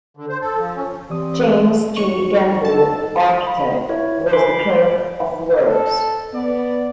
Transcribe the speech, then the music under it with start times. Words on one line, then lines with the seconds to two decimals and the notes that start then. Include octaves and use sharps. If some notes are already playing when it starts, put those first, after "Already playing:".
James G. Gamble, architect, was the clerk of works.
0.17 D3
0.29 C5
0.41 A4
0.57 F3
0.76 C#4
1.10 E3 C4 G4 D5 D#6
1.97 D#4 C#5 C#6
2.65 D#4 D#5 A5 E6
3.47 B5
3.89 E4 B4 C#5
4.33 F4 A#4 G#5 B5 C6 D6
5.66 A4
6.33 B3 D5